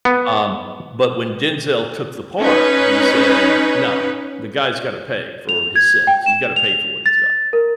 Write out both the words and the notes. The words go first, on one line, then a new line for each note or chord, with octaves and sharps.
um, but when Denzel took the part, he said, "No. The guy's gotta pay for his sins. He's gotta pay for what he's done.
B3
C#4 D#4 B4
F7
G#6
G5
E7
F7
A6
A#4